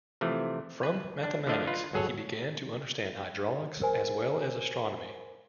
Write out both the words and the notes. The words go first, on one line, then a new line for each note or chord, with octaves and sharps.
From mathematics, he began to understand hydraulics, as well as astronomy.
C3 E3 F3 A3
B4
D4
D3 F3 A3 D4 D#5 F5
F4 B4
G1 F#3 G#4 A4 C#5
A#4 C5 G#5